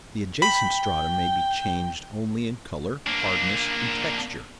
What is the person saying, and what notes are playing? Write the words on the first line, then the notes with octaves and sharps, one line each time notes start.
The adjacent strata may be changed only in color, hardness, and texture.
G5 B5
A#3 D4